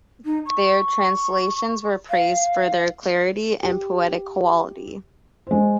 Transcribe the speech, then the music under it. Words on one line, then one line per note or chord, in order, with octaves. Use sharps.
Their translations were praised for their clarity and poetic quality.
D#4
C#6
F5
G4
G#3 C5